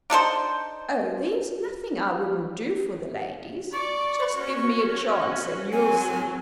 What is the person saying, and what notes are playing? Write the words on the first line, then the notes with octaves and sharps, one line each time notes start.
"Oh, there is nothing I wouldn't do for the ladies; just give me a chance and you'll see."
D4 D#4 A4 C5
D5 C#6
C#4 F#4
F#3 C4 G#5